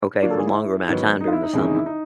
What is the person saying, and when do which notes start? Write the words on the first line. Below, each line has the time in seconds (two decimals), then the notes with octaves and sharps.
okay, for a longer amount of time during the summer,
0.22 D3 F#3 A#3 D4 F4 D5
0.30 A4
0.39 G#4
0.47 E4
0.88 G#2 D#3 F#3 B3
1.21 D#4
1.28 F4
1.33 E4
1.43 D#4
1.53 E2 C3 D#3 G#3 C#4 E4
1.64 D#4
1.75 E4
1.86 D#4